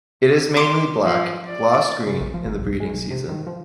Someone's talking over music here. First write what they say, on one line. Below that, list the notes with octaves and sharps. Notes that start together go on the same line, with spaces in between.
It is mainly black, glossed green, in the breeding season.
C6 D6
F3
D5
C#3
A#1
F3
G#1
C2
G#3
B1
C3
D#3
F3